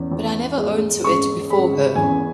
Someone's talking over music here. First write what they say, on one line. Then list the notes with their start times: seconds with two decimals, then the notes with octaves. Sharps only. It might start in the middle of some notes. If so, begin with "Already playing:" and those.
But I never own to it before her.
Already playing: E2 C#4
0.12 E2
0.57 G#3
1.04 G#3 C#6
1.50 G#3 B5
1.96 E2 G#5